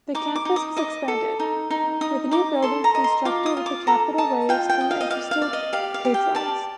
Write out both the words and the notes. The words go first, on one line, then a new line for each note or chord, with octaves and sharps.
The campus was expanded, with new buildings constructed with capital raised from interested patrons.
D#4 D6
D6
D#4
D#6
D#5 D6
A4
D#4
D#4
D#4 D#6
D#4 D6
A4 C6
A#5
D#5
C6
F4 D6
D#6
F4
D6
A4 A#5
D#5 A5
F4 G5
G5
D#5
F5
D#5
D5 F5
F5
D5
D#5
G4 F5
F5
G4
G5
D5 A5